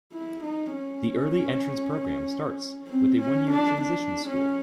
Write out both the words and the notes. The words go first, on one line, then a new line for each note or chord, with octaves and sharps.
The Early Entrance program starts with a one year Transition School.
E4
D#4
C#4
C4
C#4
D4
D4
C#4